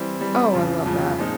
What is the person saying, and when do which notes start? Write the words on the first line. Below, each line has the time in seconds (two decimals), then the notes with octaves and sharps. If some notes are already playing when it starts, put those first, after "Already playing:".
Oh, I love that.
Already playing: E3 G3 C4
0.20 E3 G3 C4
0.52 F2 C#3 F3
0.86 F2 C#3 F3
1.18 A#2 F3 G#3 C4 D#4